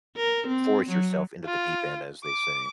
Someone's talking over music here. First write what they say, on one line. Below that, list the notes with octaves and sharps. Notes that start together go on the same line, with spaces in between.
force yourself into the deep end, as they say.
A#4
C4
F#3
F4
D6